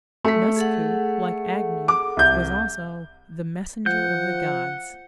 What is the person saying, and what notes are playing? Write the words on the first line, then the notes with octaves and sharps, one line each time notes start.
Nusku, like Agni, was also the "messenger of the gods".
A3 B6
G#4 A4 F#5
D6
C2 G6
F3 F#5 G6